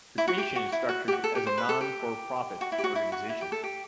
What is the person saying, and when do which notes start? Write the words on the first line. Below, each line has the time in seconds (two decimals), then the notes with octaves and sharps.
The station is structured as a non-for-profit organisation.
0.18 E4
0.28 F#4
0.38 G4
0.56 F#4
0.72 E4
0.89 F#4
1.08 G4
1.12 F#4
1.24 A4
1.35 G4
1.47 C5
1.58 B4
1.69 A4
1.81 G4
2.61 F#4
2.72 E4
2.78 G4
2.84 F#4
2.95 E4
3.12 F#4
3.29 E4
3.41 G4
3.52 A4
3.64 G4